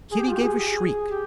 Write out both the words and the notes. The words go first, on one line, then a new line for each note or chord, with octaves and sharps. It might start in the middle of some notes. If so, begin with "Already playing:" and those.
Kitty gave a shriek.
G#4
G4
F4
G4
G#4
G4